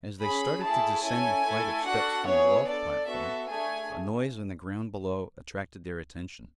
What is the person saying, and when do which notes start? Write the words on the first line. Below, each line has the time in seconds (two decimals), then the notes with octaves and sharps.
As they started to descend the flight of steps from the loft platform, a noise on the ground below attracted their attention.
0.23 C#4 G#4 B5
0.63 A3 E4 G#4 A5
1.04 C#4 E4 A4 G#5
1.45 A3 E4 A4
1.86 D4 F#4 A4 F#5
2.27 B3 E4 G#4 C#5
2.68 D4 A4 D5
3.09 B3 F#4 A4 E5
3.49 A3 D4 G#4 G#5